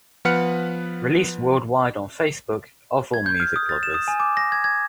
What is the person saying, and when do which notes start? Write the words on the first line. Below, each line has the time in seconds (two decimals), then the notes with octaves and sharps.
Released worldwide on Facebook of all music lovers.
0.25 F3 B3 B4 F#5 F6 C#7
3.14 G#6
3.26 G6
3.40 F6
3.56 D#6
3.69 A6
3.83 E7
3.94 D#6
4.08 G#5
4.20 D6
4.37 A#6
4.52 G#6
4.64 G#6